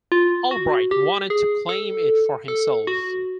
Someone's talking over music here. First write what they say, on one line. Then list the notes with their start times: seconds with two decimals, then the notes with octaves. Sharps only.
Albright wanted to claim it for himself.
0.12 F4
0.51 F#4
0.91 G4
1.30 G#4
1.69 A4
2.48 A4
2.87 F#4